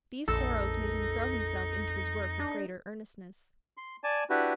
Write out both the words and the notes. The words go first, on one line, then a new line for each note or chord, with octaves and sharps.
These sorrows made him throw himself into his work with greater earnestness.
A#1 F2 D#4 A4
D4
C6
D5 G#5 A5
D4 E4 F#4 G4 B4